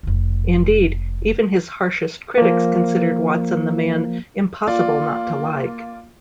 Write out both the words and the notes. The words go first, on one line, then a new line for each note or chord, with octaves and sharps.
Indeed, even his harshest critics considered Watson the man "impossible not to like".
F1 C#3
F3 A#3
A#3 F4 D5